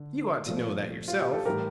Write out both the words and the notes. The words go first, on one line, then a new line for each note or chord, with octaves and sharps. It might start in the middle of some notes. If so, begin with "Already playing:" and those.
You ought to know that yourself.
Already playing: D3
A#2 F3 A3
F4
G4
A4
A2 E3 G3 G4 A#4